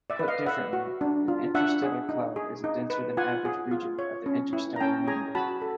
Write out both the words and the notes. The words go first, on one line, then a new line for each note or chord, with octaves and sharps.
Put differently, an interstellar cloud is a denser-than-average region of the interstellar medium.
D5 E5
B4
D#5 F5
B4 E5 F#5
F#4
D4
F4
D4 E5 F#5
G#4
D#4
G#4
D#4
B4
F4 F#5 G#5
G#4
F4
C#5
C#4
E4
A#5
C#4 G5 A5
G#4 G#5 A#5
F#4 A5 B5
A4